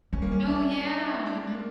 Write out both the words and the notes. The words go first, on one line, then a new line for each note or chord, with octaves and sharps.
Oh, yeah, m
G3 C#4
A#3
C#4
E4
D4
C#4
D4
E4
D4
A#3